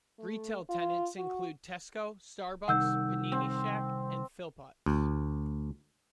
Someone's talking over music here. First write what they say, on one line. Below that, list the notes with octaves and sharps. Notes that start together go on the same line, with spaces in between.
Retail tenants include Tesco, Starbucks, Panini Shack and Philpotts.
A3
F4
F#4
C2 D#3 F#5 E6 G6
C4
D2